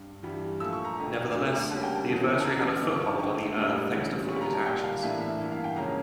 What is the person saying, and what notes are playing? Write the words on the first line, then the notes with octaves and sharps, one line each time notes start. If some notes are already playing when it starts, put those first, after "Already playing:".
Nevertheless, the Adversary had a foothold on the Earth thanks to Forge's actions.
Already playing: G2
G2 E3 G3
A#2 F3 A3 E6
C#6
A#5
F2 D3 A3
D2 D3 A3
C#3 G3 A#3 A5
G5
A5
E2 E3 A#3 C#4
A5
D2 C#3 E3 A#5
F6
G2 D3 F3 D6
C#6
A5
F2 D3 A3 C#6
A2 G3 A#3 D4
D2 C#3 E3 G3
A#2 G3 D4 C#6
A#5
A5
A#2 G3 D4 G5
F5
A2 E3 A#3 D4 E5
E5
G2 E3 A#3
F5
G5
C#2 C#3 F3 A#3 C#4 A#5